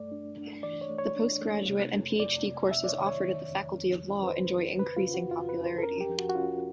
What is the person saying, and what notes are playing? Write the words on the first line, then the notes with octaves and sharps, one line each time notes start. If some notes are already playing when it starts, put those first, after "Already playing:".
The post-graduate and PhD courses offered at the Faculty of Law enjoy increasing popularity.
Already playing: G2 A3 D5
D4
D4
E3 D5
C#5
A3
C#5
D4
A3
C3
F2
F2 D5
C3
C3 E5
D5
C#5
D#3
C#5
D#3
F2
F2
F2
B4
F2 C5
F2
C#3 B4
F4
C#3
F#4
F2 F4
B4
F2
C5
A4
C#4 A#4
G4
F3
F#4
F#4
C#4 F4